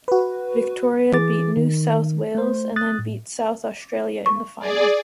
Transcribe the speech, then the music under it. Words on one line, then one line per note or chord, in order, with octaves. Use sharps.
Victoria beat New South Wales and then beat South Australia in the final.
F#4 B4
E3 G#4 D6 A6
D#3
A3 C5
D#6 F#6 A6
A2
C#6
G#4 D5